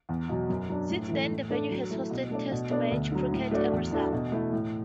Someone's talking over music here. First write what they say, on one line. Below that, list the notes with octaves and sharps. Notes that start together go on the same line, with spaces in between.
Since then the venue has hosted test match cricket every summer.
E2
B2 F#3
F#2
F#3 D4
A2
E3 A3
A2
A3 D4 A4 D5
F#3
A3 E4
B2
A3 D4 A4 D5
B2
B3 D4 A4 D5
D2
D3 F#3
A2
A3 D4 F#4 D5
E2
E3 D4 F#4 A4
B2
A3 E4
A2